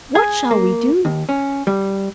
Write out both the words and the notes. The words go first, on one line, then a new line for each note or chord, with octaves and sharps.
What shall we do?
G#4
A#3
D#2
C#4
G3